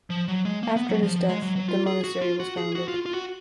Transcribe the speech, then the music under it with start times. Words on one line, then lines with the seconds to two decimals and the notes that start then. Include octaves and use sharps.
After his death, the monastery was founded.
0.10 F3
0.28 F#3
0.45 G#3
0.63 A#3
0.76 B3
0.90 F#3
1.03 F3
1.16 F3
1.29 G#3
1.42 F#3
1.56 F#3
1.69 F4
1.87 G#4
2.04 F#4
2.22 F4
2.40 F#4
2.57 G#4
2.75 F#4
2.88 F4
3.06 F4
3.14 F#4